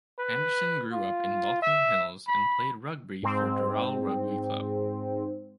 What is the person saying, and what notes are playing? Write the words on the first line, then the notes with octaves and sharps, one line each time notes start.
Anderson grew up in Baulkham Hills and played rugby for Dural rugby club.
B4
F4
E5
B5
G#2 C4